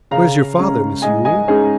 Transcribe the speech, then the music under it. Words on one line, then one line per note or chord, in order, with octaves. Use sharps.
'Where's your father, Miss Yule?'
C#3 F5 A#5
G#3 C#4
G#2 D#5 G#5
D#5 G#5
G#3 C#4 D#4 G#4